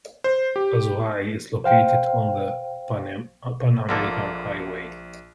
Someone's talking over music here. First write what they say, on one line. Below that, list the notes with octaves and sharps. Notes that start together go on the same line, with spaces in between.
Azuay is located on the Panamerican Highway.
C5
G4
C5 F5 G5
A#1 D3 A#3 A4